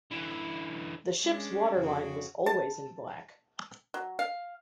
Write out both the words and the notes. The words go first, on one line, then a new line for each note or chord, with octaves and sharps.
The ship's waterline was always in black.
D3 E3
G#3 C#4 D4
F2 C#3 F#4
A5
F#3
F5